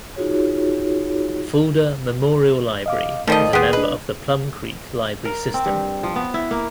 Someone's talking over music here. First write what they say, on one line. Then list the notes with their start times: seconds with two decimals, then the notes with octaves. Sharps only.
Fulda Memorial Library is a member of the Plum Creek Library System.
0.16 D#4 F4 F#4 G#4 C#5
2.86 D#5 F5 D6
3.27 D#3 F3 G3 A3 D#5
3.53 D#2 B3 G4 G#4 F#5 C6
3.73 D4 B4 D#5
5.25 A#4
5.54 C4
5.66 G2
6.03 F3
6.16 B3
6.34 E4
6.51 A#3